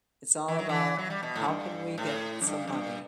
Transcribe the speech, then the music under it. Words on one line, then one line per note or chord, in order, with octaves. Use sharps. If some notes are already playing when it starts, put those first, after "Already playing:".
it's all about how can we get some money,
E3
F#3
E3
F#3
G3
B2
A2
G2
A2
F#2
G2
F#2
G2